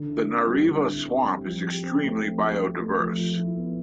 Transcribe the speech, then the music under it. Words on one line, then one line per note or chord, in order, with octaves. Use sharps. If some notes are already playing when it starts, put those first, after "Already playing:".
The Nariva Swamp is extremely biodiverse.
Already playing: D3
E4
C4
G3
D3
E4
C4
G3
F3
G4
C4
A3
F3
G4
C4
A3
F3
F3
E4
B3